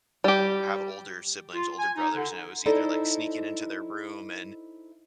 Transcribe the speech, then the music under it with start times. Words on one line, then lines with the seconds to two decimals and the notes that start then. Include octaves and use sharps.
have older siblings, older brothers, and it was either, like, sneaking into their room and
0.24 G3 G4
1.54 F4
1.78 G#5
1.95 D#4
2.16 D3
2.66 D#4 E4 A4 C5 D5 D#5